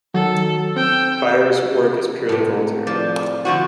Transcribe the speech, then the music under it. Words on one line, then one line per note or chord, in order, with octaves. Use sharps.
Firer's work is purely voluntary.
D#3 F#3 A4
C4 G5 E6
A2 C3
F3 D5
D3 F3 F#4